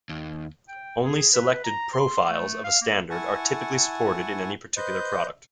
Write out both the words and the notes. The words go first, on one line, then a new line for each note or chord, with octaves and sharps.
Only selected "profiles" of a standard are typically supported in any particular product.
D#2
G5
G#4
B4
A#5
C6
A3
F5
A#3
E4 F#5 G#5 A5 C#6
B4 C5 D#5 G6